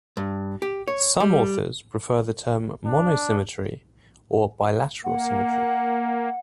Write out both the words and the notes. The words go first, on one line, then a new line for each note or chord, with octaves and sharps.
Some authors prefer the term monosymmetry or bilateral symmetry.
G2
G4
C#5
G3
D4
A#3 F#5